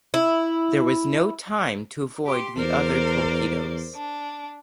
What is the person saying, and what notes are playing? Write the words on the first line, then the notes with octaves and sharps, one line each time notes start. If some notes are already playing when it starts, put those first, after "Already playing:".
There was no time to avoid the other torpedoes.
E4
G4 C6
E2 A#4 C5 D5
D4